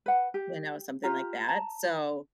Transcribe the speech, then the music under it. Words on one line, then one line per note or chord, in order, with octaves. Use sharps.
you know, something like that, so,
B4 F#5
G4
F4 G4 A#5
A5 A#5